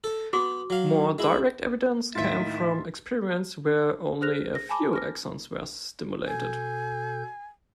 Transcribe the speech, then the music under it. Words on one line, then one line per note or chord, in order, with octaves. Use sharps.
More direct evidence came from experiments where only a few axons were stimulated.
A4
B3 F#4 D6
F#3 F5
G#3 E4
D#2 A2 D#3 E4 F4 E5 A6
G#4 C5 F6 F#6 A#6 F7
A#6
G#5 A5 B5 D6
F6 A#6
B2 A4 G#5 G6